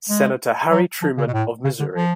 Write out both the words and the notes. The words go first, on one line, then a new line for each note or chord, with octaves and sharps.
Senator Harry Truman of Missouri.
G#3
F#3
F3
C#3
B2
A2
C#3
D3
F3